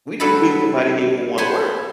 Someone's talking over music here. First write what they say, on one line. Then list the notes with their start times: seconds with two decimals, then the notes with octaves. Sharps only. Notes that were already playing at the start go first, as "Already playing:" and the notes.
We need to bring somebody here who wanna work.
0.20 G2 F#3 A4 B4 A5 B5
1.38 C5 F#5 G#5 A5 B5 C6